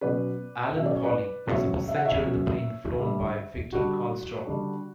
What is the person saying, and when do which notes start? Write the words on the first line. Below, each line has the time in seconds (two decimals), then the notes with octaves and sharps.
Alan Hawley was a passenger in the plane flown by Victor Carlstrom.
0.01 B2 F#3 C#4 B4 D5
0.76 B2 F#3 C#4 E5
0.86 D5
0.95 C#5
1.04 B4 D5
1.50 B2 F#3 C#4 C#5 E5
1.88 E5
1.96 F#5
2.05 C#5 E5
2.24 B2 F#3 C#4
2.98 D3 G3 D4
3.72 D3 G3 D4 F#4
4.47 D3 G3 D4